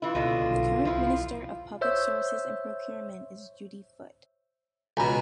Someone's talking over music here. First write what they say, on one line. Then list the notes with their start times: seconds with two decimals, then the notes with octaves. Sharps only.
The current Minister of Public Services and Procurement is Judy Foote.
0.02 E3 E4 F4
0.15 C#2 B2 D3
0.51 B1
0.85 C2 F3 E4
1.81 C5 C#5 E5 E6 G6
4.97 C#2 B2 G#5 A#5 B5